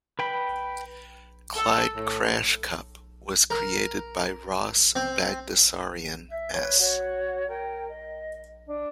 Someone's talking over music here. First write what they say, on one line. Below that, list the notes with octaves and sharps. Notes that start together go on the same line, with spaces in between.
Clyde Crashcup was created by Ross Bagdasarian S.
B4 G5 B5
A4
A2
A#4
C4
E5
B4 C#5
F#4 C#5
A#4 G5
D#5
D4